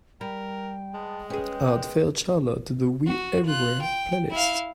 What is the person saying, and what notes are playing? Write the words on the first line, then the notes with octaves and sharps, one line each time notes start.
Add Fair Charlotte to the We Everywhere playlist.
G3 A#4 G5
G#3 B3 A5
C#4 G#4 B4 G5
F#4
F4 F#6
G5
E4 F5